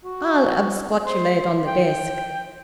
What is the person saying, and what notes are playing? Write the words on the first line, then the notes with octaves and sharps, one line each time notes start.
I'll absquatulate on the desk.
F#4
C5
G5